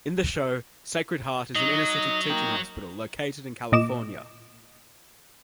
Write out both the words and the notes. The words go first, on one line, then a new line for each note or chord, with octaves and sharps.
In the show, Sacred Heart is an inner-city teaching hospital located in California.
F#3 D#4 D#5
A#3 D#4 G5
A#2 D#5 D6 E7